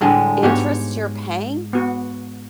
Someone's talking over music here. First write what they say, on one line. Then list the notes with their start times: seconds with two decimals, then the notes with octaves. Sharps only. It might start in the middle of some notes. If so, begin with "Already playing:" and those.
interest you're paying
0.01 A2 D3 G3 G#3
0.43 G#2 B3 F#4 G4 C#5
1.73 B3 F#4